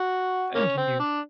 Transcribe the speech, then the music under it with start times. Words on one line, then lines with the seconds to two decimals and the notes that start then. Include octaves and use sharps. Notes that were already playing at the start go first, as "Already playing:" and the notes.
Thank you.
Already playing: F#4
0.55 A#3 C#4
0.77 C4
1.00 D4